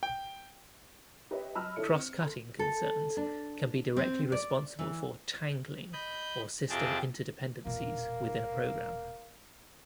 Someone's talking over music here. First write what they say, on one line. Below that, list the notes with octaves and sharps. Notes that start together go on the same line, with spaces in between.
Cross-cutting concerns can be directly responsible for "tangling", or system inter-dependencies, within a program.
G5
G4 B4 C#5 D#5 E5
F#3 D#5 A5 B5 E6 F6
D3 E4 A4 C#5 C#7
C4
A4 C6
A4
D4
C4
D5
E3
D#5 B5 G6
F2 C3 G#4 G5 A5
E1 A#2 A#3